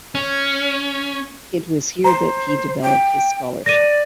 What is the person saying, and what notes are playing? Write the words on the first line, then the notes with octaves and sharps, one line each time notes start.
It was here that he developed his scholarship.
C#4
C5 A#5
G5
D5 A#6 D#7